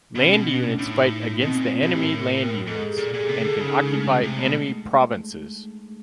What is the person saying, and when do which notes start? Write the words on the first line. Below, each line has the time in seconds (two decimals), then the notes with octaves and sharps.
Land units fight against enemy land units, and can occupy enemy provinces.
0.15 B2 C#4
0.31 C#4
0.47 D4
0.63 D4
0.78 A2 D#4
1.41 B2 C4
1.57 A#2
1.72 F4
1.82 B2 G4
1.93 A2
2.04 A#4
2.35 A#4
2.66 G#2 A4
2.77 G#4
2.89 G4
2.98 A#2 G#4
3.13 A#2
3.25 G#4
3.29 C3 A4
3.45 D3
3.60 C#3 D#4
3.71 D4
3.81 G#3
3.92 A3
4.23 C3
4.39 B2